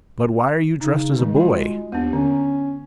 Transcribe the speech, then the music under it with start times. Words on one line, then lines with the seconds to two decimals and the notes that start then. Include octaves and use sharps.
"But why are you dressed as a boy?"
0.81 C#3 D#4
1.19 D#3 G3 G#3
1.36 F4 F#4
1.92 D#2 B3 D4
2.13 D3 C#4